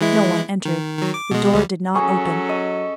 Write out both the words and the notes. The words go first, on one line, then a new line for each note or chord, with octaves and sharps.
No one entered; the door did not open.
E3 G#3 E4
D#3
D#3 F#3
D6
B2 G#3
D2 G3
F#3 C#4 G#4 A4 A#5 C#6
D#5